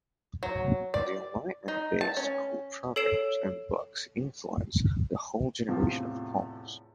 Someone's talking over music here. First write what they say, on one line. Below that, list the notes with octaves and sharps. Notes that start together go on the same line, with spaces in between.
The Enlightenment-based school programmes and books influenced the whole generation of Poles.
F#3
D5
D#4
A5
C#4
A4 C#5 C7 D7 E7
E2 A2 C3 F3